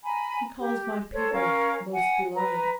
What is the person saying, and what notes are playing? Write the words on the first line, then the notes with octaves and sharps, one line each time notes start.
"He calls my people 'most beloved'."
G#5 A#5 B5
G4
A4 C5 C#5
C#4 A#4 F5
F#5 G#5
B4 A#5